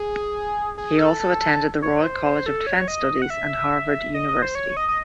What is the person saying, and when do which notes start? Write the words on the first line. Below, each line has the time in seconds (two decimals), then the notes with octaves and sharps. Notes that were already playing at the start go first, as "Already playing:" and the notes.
He also attended the Royal College of Defence Studies, and Harvard University.
Already playing: G#4
0.78 G#4
0.98 A4
1.20 A4
1.41 A4
1.82 C#5
2.03 C5
2.25 C5
2.46 A4
2.67 C#5
2.88 D#5
3.22 F#5
3.30 E5
4.14 D#5
4.28 D#5
4.42 C5
4.55 C#5
4.77 D#5
4.88 D#5